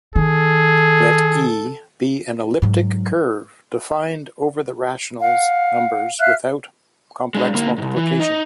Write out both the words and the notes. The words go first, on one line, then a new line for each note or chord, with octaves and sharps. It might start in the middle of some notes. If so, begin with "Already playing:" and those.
Let "E" be an elliptic curve defined over the rationals numbers without complex multiplication.
D#3 G#4 A4
G#2 F#3
F5 F#5
E5 F5 F6 F#6
G#3 D4
D3 A#3
C2 G#2
E3
D#4